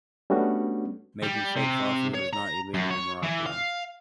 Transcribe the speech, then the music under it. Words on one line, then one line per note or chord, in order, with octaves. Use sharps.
Making fake fossils is not illegal in Morocco.
G3 A3 B3 C#4 D4 F#4
G3
C3
C#5
A#5
F#2
C#5
E3
F5